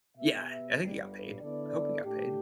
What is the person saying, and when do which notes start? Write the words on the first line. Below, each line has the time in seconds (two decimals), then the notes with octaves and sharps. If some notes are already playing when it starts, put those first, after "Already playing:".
Yeah! I think he got paid. I hope he got paid.
0.16 B2 B3 G4 B4 E5
0.79 G1 G2 G3
1.41 D3 B3 E4 A4 D5
2.03 A2 A3 D4 G4